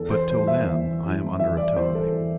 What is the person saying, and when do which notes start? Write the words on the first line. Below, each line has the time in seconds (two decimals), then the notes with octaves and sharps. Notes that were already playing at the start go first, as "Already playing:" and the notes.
But, till then, I am under a tie.
Already playing: E2 A4
0.11 C5
0.30 E3 G3 C5
0.47 E5
0.66 E2
1.03 E3 G3
1.40 E2 E5
1.57 D5
1.76 E3 G3 C5
1.95 A4
2.13 E2